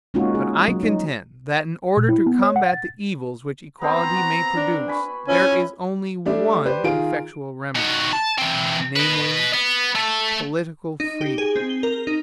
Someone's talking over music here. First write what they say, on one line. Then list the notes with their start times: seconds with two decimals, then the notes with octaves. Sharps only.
But I contend that in order to combat the evils which equality may produce, there is only one effectual remedy--namely, political freedom.
0.14 G#3 A#3 C#4 D#4 F4 F#4
0.35 G#4
0.68 F#3
0.83 D#4
1.97 A#2
2.09 E4
2.26 B3
2.42 C#5
2.56 F#5
2.73 A6
3.82 B3 C4 C5 A#5
4.16 F#4
4.56 D4
4.88 G#5 B5 C#6
5.28 F3 C#4 E4 B4 G#5
6.26 G3 A3 D4
6.66 G4 B4 C5 D5
6.84 D#3 F4 G#4 D7
7.76 D#3 F#4
8.13 A5
8.38 E3 C4
8.96 B4 D#5
9.53 B3
9.96 A3
11.00 D#4
11.21 G4
11.38 G#4
11.56 C4
11.69 G7
11.83 A#4
12.07 D#4